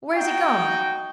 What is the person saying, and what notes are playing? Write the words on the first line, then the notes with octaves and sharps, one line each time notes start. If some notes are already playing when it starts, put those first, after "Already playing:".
Where's he gone?
D#4 F#4 G5